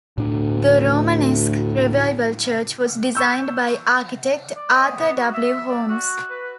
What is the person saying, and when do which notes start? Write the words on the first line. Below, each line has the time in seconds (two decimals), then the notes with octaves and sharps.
The Romanesque Revival church was designed by architect Arthur W. Holmes.
0.18 D2 A2 D4
3.15 C#6 E6 G6
4.56 D5
4.71 D#5
4.97 B3
5.16 F#4
5.33 E5
5.69 D5
5.89 F#4
6.30 B4